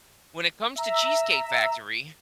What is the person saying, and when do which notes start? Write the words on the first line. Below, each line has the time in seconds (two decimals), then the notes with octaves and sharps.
when it comes to Cheesecake Factory,
0.76 E5 A#5 E6